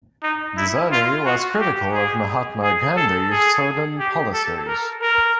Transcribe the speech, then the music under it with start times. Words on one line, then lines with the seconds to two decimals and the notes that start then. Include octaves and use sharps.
Desani was critical of Mahatma Gandhi's certain policies.
0.23 D#4
0.57 E4
0.91 F4
1.25 F#4
1.60 G4
1.93 G#4
2.62 G#4
2.96 A4
3.31 G#4
3.99 G4
4.33 A4
4.67 A#4
5.02 A#4